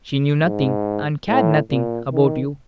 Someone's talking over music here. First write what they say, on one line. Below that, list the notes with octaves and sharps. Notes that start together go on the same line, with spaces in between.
She knew nothing, and cared nothing, about you.
G#2
A2
A#2
D#3